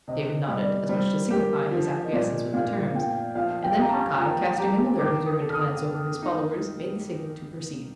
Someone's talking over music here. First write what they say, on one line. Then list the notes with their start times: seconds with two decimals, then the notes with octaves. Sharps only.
David nodded, as much to signify his acquiescence with the terms; and then Hawkeye, casting another observant glance over his followers made the signal to proceed.
0.08 C3 D#5
0.49 G3 D#5
0.62 D5
0.89 G3 C5
1.30 G4 A#4
1.71 F3
2.05 D#5
2.12 A#2 D5
2.53 A#2 F5
2.94 A#2 G5
3.35 F3 F5
3.63 G5
3.77 G4
3.82 A#5
3.91 A5
4.18 F3 A#5
4.58 G4 A#5
4.99 D#3 D6
5.26 D#6
5.41 A4
5.50 F6
5.54 D#6
5.82 A4
6.22 D#4